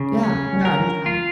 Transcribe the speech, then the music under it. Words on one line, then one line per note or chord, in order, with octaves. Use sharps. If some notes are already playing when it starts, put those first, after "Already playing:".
Yeah, no, that's fine.
Already playing: C#3
C#4
A#4
F4